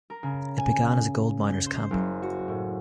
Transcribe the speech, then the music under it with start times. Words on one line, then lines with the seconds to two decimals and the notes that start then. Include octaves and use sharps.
It began as a gold miners camp.
0.10 A#4
0.23 C#3
0.58 G#5
1.52 G6
1.66 C5
1.91 F#1
2.22 F#4
2.48 A2